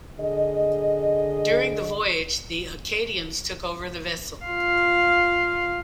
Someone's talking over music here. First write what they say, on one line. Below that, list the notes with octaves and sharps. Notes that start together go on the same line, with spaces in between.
During the voyage, the Acadians took over the vessel.
D3 G#4 D#5
F4 F5